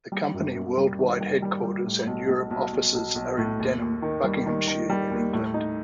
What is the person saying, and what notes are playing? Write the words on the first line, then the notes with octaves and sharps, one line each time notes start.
The company worldwide headquarters and Europe offices are in Denham, Buckinghamshire in England.
G3
F#2
F#2
G3
D#3
G3
G3
G3
A2
B1
B1
B1
B1
B1
B1
A2
D#2
D#2
D#3
G3
D#3
D#3
G3
D#2
A2
D#4